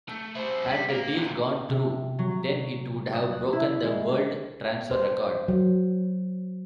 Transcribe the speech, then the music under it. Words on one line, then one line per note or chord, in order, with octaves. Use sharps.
Had the deal gone through, then it would have broken the world transfer record.
A3
E4 C5
G3
A#3 F5
D2 A#2
C3
F#3
F#3
D#6
F#6
E4
G#3
C5
F#3